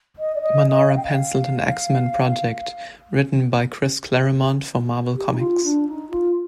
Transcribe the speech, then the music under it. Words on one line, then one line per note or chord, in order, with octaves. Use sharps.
Manara penciled an "X-Men" project written by Chris Claremont for Marvel Comics.
D#5
D5
D#5
D#5
F5
G5
F5
G4
D#4
F4
D4
D#4
F4